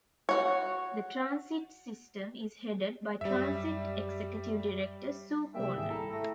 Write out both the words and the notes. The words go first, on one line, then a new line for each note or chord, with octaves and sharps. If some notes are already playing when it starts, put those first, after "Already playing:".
The transit system is headed by Transit Executive Director Sue Connor.
F#4 C#5
F#2 G3 E5
C2 G3 A#3 E5 G5
G#1 G#4
E4 A4 A#5
A3 A#6